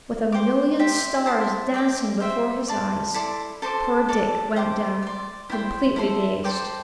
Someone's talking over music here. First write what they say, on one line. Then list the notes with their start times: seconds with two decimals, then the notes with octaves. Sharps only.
With a million stars dancing before his eyes, poor Dick went down completely dazed.
0.32 C5 G5 D6
0.79 G4 E5 G5 C6
1.26 E4 C5 A5 C6
1.74 D5 G5 D6
2.20 C5 E5 G5
2.68 D5 A5 C6
3.14 E4 A4 D5 C6
3.62 A4 C5 A5 D6
4.08 A4 D5 A5 D6
4.56 C5 G5 D6
5.03 D5 C6
5.50 E4 C5 G5 C6
5.96 E4 A4 E5 C6
6.44 A4 C5 G5 D6